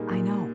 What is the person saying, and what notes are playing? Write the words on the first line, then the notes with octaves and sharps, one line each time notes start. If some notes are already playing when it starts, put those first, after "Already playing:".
I know.
Already playing: A#2 G3 A#3 D#4 G#4
A#2